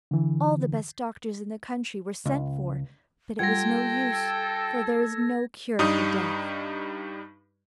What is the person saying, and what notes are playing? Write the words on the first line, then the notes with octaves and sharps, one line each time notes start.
All the best doctors in the country were sent for, but it was no use, for there is no cure for death.
D3 E3
C#2
G3 F4 A4 F#5 G5 G#6 A#6
G2 G3 D#4 D#6